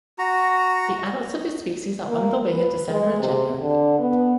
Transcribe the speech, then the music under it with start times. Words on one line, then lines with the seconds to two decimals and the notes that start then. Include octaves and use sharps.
The adults of this species are on the wing in December and January.
0.19 F#4 A#5
2.09 A#3
2.48 B4
2.90 G#3
3.21 C3
3.62 D3
4.00 B3